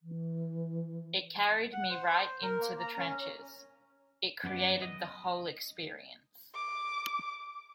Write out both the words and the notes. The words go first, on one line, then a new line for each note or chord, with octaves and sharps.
It carried me right into the trenches; it created the whole experience.
E3
F#5
C5
A#4
A#3
A#5
C#4
F#2 B3 G#4 D5
D#5
D6